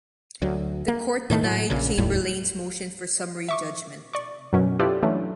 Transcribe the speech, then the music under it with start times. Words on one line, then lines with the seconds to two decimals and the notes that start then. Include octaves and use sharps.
The court denied Chamberlain's motion for summary judgment.
0.42 D2 F#3
0.88 A#3
1.30 A2 D#3 A3
1.43 A2 F#3
1.70 A#1 A#2 C#3
1.97 F1 D#2 A2 G3
3.49 E5 C#6 D6
4.13 D5 C#6
4.53 F#2 B2 F#3 C#4
4.79 E4 F4 G4 A4 B4 D5
5.03 E3 F#3 A3 C#4 D4 E4